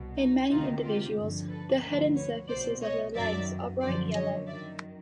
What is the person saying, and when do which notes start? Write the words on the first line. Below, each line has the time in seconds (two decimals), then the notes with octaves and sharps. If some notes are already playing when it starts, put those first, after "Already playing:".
In many individuals, the hidden surfaces of their legs are bright yellow.
Already playing: C2 B2
0.17 D#4
0.50 D2 C3 D#3 D#4 F4
0.82 F4 G4
1.17 G2 D3 F3
1.49 A4 B4
1.82 D2 D3 F3 A#4 C5
2.15 B4 C#5
2.48 C2 B2 C5 D5
2.81 C#5 D#5
3.14 F#2 D#3 D5 E5
3.81 F#2 D3 F3 C5 D5
4.13 C#5 D#5
4.47 F#2 D#3 D5 E5